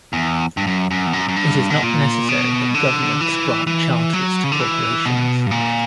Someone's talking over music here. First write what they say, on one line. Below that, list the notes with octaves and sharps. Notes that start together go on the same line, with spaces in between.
It is not necessary that governments grant charters to corporations.
E2
G2
F#2
F#2
E2
F#2
F#2
G2
B2
A#2
B2
D3
E3
E3
F#3
C#3
D3
E3
B2
G2
A#2